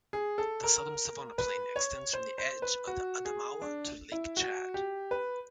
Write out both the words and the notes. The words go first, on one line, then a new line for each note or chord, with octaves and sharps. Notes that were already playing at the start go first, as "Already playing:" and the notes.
The southern savanna plain extends from the edge of the Adamaoua to Lake Chad.
G#4
A4
A#4
B4
C#5
C5
C5
B4
F#4
G#4
D4
E4
F#4
G4
B4